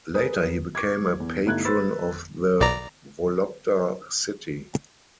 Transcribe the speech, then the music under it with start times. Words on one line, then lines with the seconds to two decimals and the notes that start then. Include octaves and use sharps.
Later he became a patron of the Vologda city.
0.15 G#4 A#4 B4 D#6
0.75 C#6 D6 G#6
1.20 E2
1.46 G1 A3 D#4 E4 F#6 G#6
1.65 B4 B5 E6 A6
2.60 B1 D5 A#5